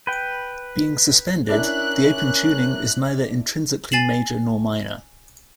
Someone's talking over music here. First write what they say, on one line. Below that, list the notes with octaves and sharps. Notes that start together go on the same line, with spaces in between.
Being suspended, the open tuning is neither intrinsically major nor minor.
B4 G5
C#4 D4 E4 A#4 E5 F#6
G#5 A6 C7 E7 F#7